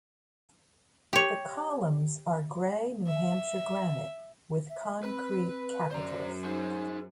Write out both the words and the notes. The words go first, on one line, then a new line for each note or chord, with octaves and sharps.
The columns are gray New Hampshire granite with concrete capitals.
G4 C#5
E5
E5
C4 B4 B5
F#2 F#3 C5 D5 A#5
D#4 G#4 C5